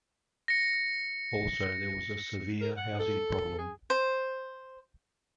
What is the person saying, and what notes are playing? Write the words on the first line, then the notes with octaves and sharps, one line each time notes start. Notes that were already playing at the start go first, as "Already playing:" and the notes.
Also, there was a severe housing problem.
A#6 C#7
A#4
F#5
A4
G#4
C5